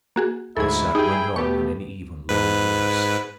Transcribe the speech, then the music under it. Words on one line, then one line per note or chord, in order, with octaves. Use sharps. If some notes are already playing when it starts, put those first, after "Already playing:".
Arsat went on in an even, low voice.
A#3 F#4 G#4
D2 G#2 E4 G#4 A4 G#6
D#4 G4 G#4 G5
B2 A3 B3 G4 C#6
G#2 B4